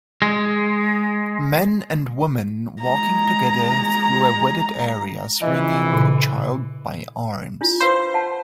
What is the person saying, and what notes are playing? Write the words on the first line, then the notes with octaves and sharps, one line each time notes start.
A man and woman walking together through a wooded area swinging a child by arms.
G#3
G#3 A#5
A#1 E3 D#5
A#2 C#3
D4 E4 F4
B4 C5 F5 B5
F#5 A5